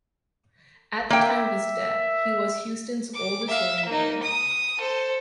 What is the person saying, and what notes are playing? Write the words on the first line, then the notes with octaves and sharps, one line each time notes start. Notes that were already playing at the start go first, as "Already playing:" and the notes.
At the time of his death, he was Houston's oldest living mayor.
A#3 E5 G5
D6
E5 F5
A#3 D#4
D#6
A4 C5